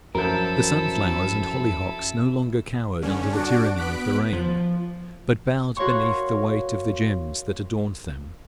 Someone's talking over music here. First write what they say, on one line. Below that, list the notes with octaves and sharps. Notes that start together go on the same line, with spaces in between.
The sunflowers and hollyhocks no longer cowered under the tyranny of the rain, but bowed beneath the weight of the gems that adorned them.
F#2 F3 F#3 E4 A4 A#4 G6
G2 D3 C#4
D4 F#4 D7
B3 F#6 B6 D7
F3
F#4 A#4 C#5 F5 C6 C#6